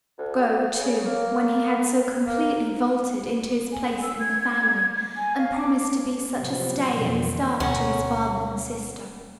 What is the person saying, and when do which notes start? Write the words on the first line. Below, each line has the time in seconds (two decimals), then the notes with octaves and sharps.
Go, too, when he had so completely vaulted into his place in the family, and promised to be such a stay and staff to his father and sister.
0.18 D2
0.79 C#3
1.05 A#3
2.26 A#3
3.73 G#5
4.02 E6
4.20 G#6
5.17 G#5
5.38 F5
5.59 D6
6.37 A2 C3 F3 F#3 B3 C4
6.94 F2 B2 D3 E3 F3 G3
7.60 D2 B2 C#4 F#5 A#5